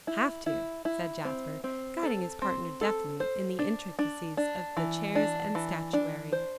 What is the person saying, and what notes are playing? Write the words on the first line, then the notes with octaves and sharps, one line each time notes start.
"Have to," said Jasper, guiding his partner deftly in the intricacies of the chairs and statuary.
E4
E4
E4
C4
C4
A4
C4
A4
C5
D4
D4
D4
E3
D4
E3
D4
C5